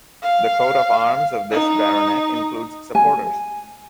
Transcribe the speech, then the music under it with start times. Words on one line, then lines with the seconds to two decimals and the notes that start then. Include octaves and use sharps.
The coat of arms of this baronet includes supporters.
0.22 F5
1.51 D#4
2.95 G#5